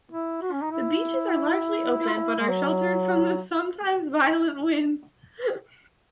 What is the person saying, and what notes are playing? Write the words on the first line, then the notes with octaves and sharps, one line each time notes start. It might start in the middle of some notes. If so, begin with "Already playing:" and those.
The beaches are largely open but are sheltered from the sometimes violent winds.
E4
F#4
C#4
D#4
E4
G#3
F#3